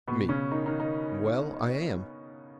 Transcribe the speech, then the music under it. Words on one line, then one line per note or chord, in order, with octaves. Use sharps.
ME: Well, I am.
B2 B3
C#3 C#4
D#3 D#4
D#3 D#4
D#3 D#4